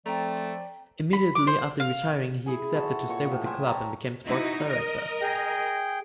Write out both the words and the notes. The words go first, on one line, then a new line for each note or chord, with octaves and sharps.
Immediately after retiring he accepted to stay with the club and became sports director.
F3 A3 C4 D5 G5 A#5
B5
D6
C5
F5
E4 G#4 G#5
F#4 A4 C5
A#2 C#5 F#5 C#6
A2
C5 E5 G5 G#5
C#5 A5 A#5
D#4 E4 F#4
A#4 D#5
G#4 G5